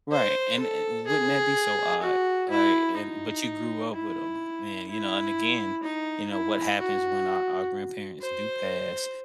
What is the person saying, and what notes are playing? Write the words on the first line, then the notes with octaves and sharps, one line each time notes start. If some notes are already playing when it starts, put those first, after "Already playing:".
Right, and, eh, wouldn't that be so odd, like, and but you grew up with 'em. Man, you know, and again, you know, what happens when our our grandparents do pass,
C5
A4
G#4
F#4
E4
D#4
E4
E4
D#4
E4
F#4
C5